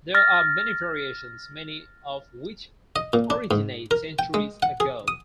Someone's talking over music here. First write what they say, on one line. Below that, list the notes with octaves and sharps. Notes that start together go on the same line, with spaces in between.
There are many variations, many of which originate centuries ago.
F6 A6 A#6
D#5
A#2
D4
G#2
A#4
G5
G#3
F#5
G#4
D#6